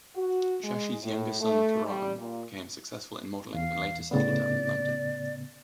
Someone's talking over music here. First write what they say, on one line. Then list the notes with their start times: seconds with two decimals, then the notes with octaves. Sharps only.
Shashi's younger son Karan became successful in modelling and later settled down in London.
0.16 F#4
0.63 G#3
1.03 A2
1.41 A3
1.84 G3
2.18 A#2
3.54 E2 F5
4.11 A2 C#3 B3 D5